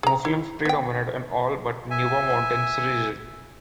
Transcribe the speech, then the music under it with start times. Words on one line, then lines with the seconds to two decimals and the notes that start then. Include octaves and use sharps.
Muslims predominate in all but Nuba Mountains region.
0.03 G#4 A#5
0.25 E4
0.65 B3 G5
1.91 E5 G#5